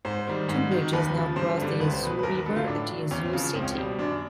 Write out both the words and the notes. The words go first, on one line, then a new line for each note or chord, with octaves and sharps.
Two bridges now cross the Yazoo River at Yazoo City.
G#2 C5
D#3 G3
G#2
D#3 F#3
D#2 B4
C#3 F3
G2 C5
D3 G3
C#2 B4
C5
B2 F#3 B4
B4
D#2 A#4
B4
D3 F#3 A4
F4
A2 D4
F#3
E2 C#4
C4
C#3 F3
C#2 C4
C#4
C4
B2 G3
F#2 D4